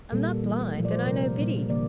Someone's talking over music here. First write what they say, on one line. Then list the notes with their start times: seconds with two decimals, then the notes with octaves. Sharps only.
'I'm not blind, and I know Biddy.
0.12 A#2 G3 A#3 A4
0.43 E3 G3 A#3
0.75 A#2 F3 A3
0.85 D5
0.91 C5
1.06 C3 G3 A#3 A#4
1.38 A#2 G3 A#3
1.69 D3 F3 A#3 D5